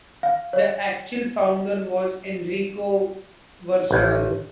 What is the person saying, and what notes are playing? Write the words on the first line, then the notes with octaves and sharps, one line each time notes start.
The actual founder was Enrico Verson.
F5
C#5
A1